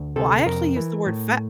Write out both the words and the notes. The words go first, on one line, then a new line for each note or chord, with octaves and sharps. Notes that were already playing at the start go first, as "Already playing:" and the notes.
Well, I actually use the word fa
Already playing: D2
C3 A4
F2 A#4
E3
A2